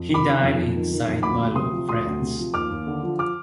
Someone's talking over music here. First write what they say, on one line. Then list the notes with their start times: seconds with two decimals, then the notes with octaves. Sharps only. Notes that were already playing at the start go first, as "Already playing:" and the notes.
He died in Saint Malo, France.
Already playing: F2
0.09 D#3
0.14 B5 D6
0.26 D#3
0.41 F2
0.57 F2
0.75 D#3
0.91 D#3
1.07 F2
1.23 D2 B5 D6
1.40 D2
1.56 C3 C6 D#6
1.72 F3
1.89 D2 C6 D#6
2.05 D2
2.22 C3
2.38 F3
2.54 D#2 D6 F6
2.71 D#2
2.87 D3
3.03 F3
3.19 D6 F6